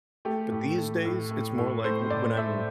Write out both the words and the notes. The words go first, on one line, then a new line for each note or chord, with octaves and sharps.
But these days it's more like w when I'm
A3 G4
A2
A3
A2
A3
A2
A3 C5
A2 D5
A3 E5